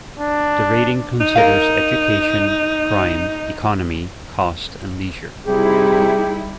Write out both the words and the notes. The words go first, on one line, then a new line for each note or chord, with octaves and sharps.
The rating considers education, crime, economy, cost and leisure.
D4
D#4
A#4 F5
C3 G3 D#4 E4 G4 G#4